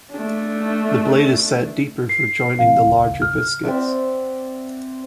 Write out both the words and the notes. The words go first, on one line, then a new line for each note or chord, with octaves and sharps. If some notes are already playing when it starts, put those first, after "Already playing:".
The blade is set deeper for joining the larger biscuits.
A3 D4
C7
A1 C3 F5
D#1 G#1 C#2
F6
C4 D5 E5 F#5